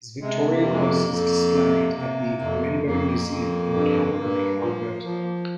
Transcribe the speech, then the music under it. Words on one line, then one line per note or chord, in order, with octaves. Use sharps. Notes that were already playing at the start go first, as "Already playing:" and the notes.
His Victoria Cross is displayed at the Glenbow Museum in Calgary, Alberta.
C3 G#3
A#3
F2 G3
G#3
A#3
F2
C3
C3
F2
F2 A#3
F2
G2
G2
F3
F3